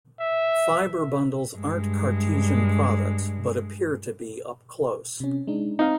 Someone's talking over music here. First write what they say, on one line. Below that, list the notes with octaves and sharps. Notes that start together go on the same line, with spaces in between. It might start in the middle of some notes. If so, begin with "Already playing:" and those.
Fibre bundles aren't cartesian products, but appear to be up close.
E5
G2 G#3
C3 C#4
G#3 D4 D#4
C4 D#4 F5